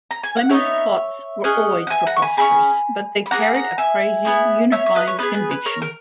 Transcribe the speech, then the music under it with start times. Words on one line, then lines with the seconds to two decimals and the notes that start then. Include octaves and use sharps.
Fleming's plots were always preposterous, but they carried a crazy, unifying conviction.
0.11 A#5
0.23 G#5
0.37 F#5
0.49 B3 D#4 G#4 C#5 E5
1.44 C#4 G#4 D#5 F#5
1.87 F#5
1.90 E5 G#5
2.07 F#5 A#5
2.16 C#6
2.22 G#5 B5
2.37 C#4 E4 G#4 G#5 B5
3.26 B5
3.31 A#3 E4 G#4 F#5 A#5
3.54 F#5 A#5
3.78 E5 G#5
4.25 B3 E4 G#4
4.72 C#5 E5
4.86 C#5
4.95 B4 D#5
5.07 C#5
5.19 B3 E4 B4
5.23 G#4
5.34 B4
5.51 B4
5.66 A#4 C#5
5.82 A#4